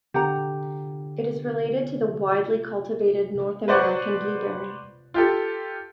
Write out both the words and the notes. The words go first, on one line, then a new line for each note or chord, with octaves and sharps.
It is related to the widely cultivated North American blueberry.
D3 G4 F#5 A#5
B4 C5 D5 F#5 C6 C#6
F4 G4 A4